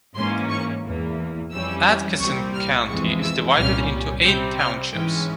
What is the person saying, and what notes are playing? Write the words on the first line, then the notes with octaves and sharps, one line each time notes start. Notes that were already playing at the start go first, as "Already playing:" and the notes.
Atchison County is divided into eight townships.
G#2 E3 A#3 C#4 C6
C#6
E2 E3 A#3
F2 E3 G3 C#4 E6
C2 A#2 G3 C4 C#6
F6
F2 E3 G#3 C#6
E6
C2 A#2 G3 C#4 F6
C3 G3 C4 G6
F6
G#2 E3 G#3 C#4 G5